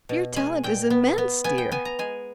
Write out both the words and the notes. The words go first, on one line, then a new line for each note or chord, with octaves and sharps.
"Your talent is immense, dear!"
B2
G#3 G#5
A#2 G5
B3
B3
B3 G#5
G5
B3 G#5
A#5
G#3 G#5